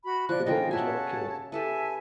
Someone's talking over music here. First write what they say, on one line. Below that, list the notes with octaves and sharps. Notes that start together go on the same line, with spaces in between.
The book was not killed.
F#4 B5
F3 D5 F#6
C#3 A#3 F4 D#5 G5
F#4 C#5 E5 G#5 A5
G4 A4 B4 E5 G#5 A5